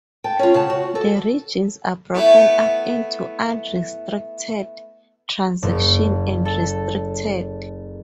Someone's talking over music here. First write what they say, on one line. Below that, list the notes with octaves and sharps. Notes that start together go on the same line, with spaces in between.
The regions are broken up into unrestricted, transition, and restricted.
G5 A5
C#4 F4
C#3 F#5 A5
F#4
A4
A3 B3 E4
F#1
A4